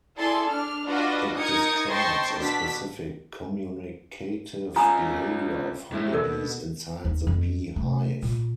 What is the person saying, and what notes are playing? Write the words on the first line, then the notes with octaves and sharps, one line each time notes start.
It describes a specific communicative behavior of honey bees inside the bee hive.
E4 G#4 A4 D5 A5 C6
D4 F6
D4 F4 F#4 B4 D5 D#5
D#4 A#4 D#6 G#6 C#7
C5 D#5 G5 A5 C6 C#6
B2 D4 B6
C#4 F4 G#5 A#5 D#6
G#3 E4
B2 A4 A#4 D5
D#2 D#4
F2
C3 A3
A#2